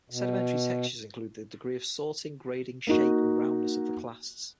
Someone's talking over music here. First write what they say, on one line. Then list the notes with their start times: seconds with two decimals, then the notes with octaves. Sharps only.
Sedimentary textures include the degree of sorting, grading, shape and roundness of the clasts.
0.10 B2
2.87 A#3 D#4 F#4